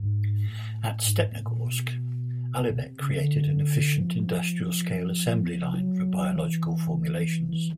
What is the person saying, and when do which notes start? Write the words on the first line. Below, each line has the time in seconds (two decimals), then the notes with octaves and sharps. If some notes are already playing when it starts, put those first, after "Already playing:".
At Stepnogorsk, Alibek created an efficient industrial scale assembly line for biological formulations.
Already playing: G#2
0.45 A2
1.04 G#2
1.24 A2
1.44 A#2
1.63 B2
2.71 B2
2.80 C3
2.99 C#3
3.20 D3
3.97 F3
5.73 F#3
6.31 E3
7.49 E3